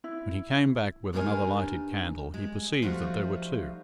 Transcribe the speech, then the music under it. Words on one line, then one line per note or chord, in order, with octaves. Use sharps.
When he came back with another lighted candle, he perceived that there were two.
E4
G2 D4 D#4 A4 A#4 G#5
G#3
F3 G3 A3 D#4 F4 F#4